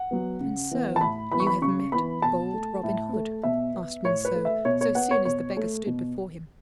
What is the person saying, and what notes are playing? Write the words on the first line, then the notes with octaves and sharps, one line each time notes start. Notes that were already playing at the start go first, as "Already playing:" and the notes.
"And so you have met bold Robin Hood?" asked Monceux, so soon as the beggar stood before him.
Already playing: F#5
F#3 B3
C#3
E3 B3
A5
A2 B5
E3 B3 B5
C#6
B5
C#3 C#6
E3 B3 B5
B2 A5
A3
A2
A3
B2 E5
B3
A2 C#5
B4
A3
E5
B2 C#5
C#5
B3 F#5
C#5
B2 C#5
A3
B2